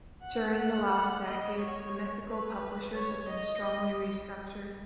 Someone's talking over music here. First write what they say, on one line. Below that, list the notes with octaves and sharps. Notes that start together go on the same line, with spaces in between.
During the last decades, the mythical publishers have been strongly restructured.
F#5
F#5
D#5
C#5
B4
C#5
D#5